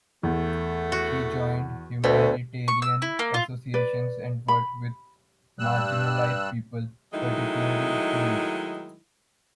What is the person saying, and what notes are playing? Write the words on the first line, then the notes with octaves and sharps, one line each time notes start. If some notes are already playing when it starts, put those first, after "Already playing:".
She joined humanitarian associations and worked with marginalized people, particularly students.
E2 A3
F#4
D2 B2 A3
C#6
E6
E4
A#3
F4
B4 D5
B5
G2 G3 E6 F#6
D#3 F#3 G#3 A3 D#4 E4